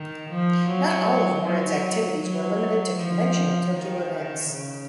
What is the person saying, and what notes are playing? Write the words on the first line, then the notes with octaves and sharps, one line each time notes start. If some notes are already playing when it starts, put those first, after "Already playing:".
Not all of Warren's activities were limited to conventional Tokyo events.
Already playing: D#3
F3
F#3
F#3
F#3
F3
D#3
C#3